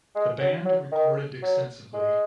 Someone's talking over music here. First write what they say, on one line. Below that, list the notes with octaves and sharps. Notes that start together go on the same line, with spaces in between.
The band recorded extensively.
G#3
F#3
F#3
D#3
F#3
G#3